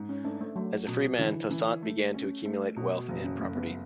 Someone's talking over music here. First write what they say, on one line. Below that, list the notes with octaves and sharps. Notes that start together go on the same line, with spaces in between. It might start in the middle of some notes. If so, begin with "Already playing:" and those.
As a free man, Toussaint began to accumulate wealth and property.
Already playing: G#2
C#4
A3 D4
A3
F#3 A3
B2
D3 E3
E3
A3
C#4
A3
B2
F#1 E3
C#4
F#1 A3
B3